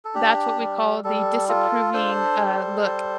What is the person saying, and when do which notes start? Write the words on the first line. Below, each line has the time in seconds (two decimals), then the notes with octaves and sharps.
That's what we call the disapproving, uh, look.
0.05 A4
0.14 D4 G4
0.59 G3
1.04 G3 A4
1.49 F4 A4
1.94 D4 A4 C5
2.38 G3
2.83 G3